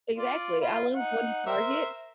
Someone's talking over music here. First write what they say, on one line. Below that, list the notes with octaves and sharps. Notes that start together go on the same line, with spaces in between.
Exactly. I love going to Target.
F4 D5
E4 F4
D#4 F#5
A#4 C5 E5